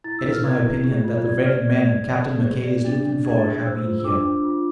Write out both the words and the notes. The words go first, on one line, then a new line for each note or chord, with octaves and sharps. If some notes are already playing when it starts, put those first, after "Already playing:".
It is my opinion that the very men Captain McKay is looking for have been here.
E4 A6
E6
B4
F6
B4 G#6
E4
G#4
F4
D5 G#6
D5 F6
D5 G#6
D5 G#6
D5
B4
G#4
D5
D4 A6
D4
G#4 G#6
A6
G#4
G#6
C5 E6
F4
E6
D4 D6
D4
F4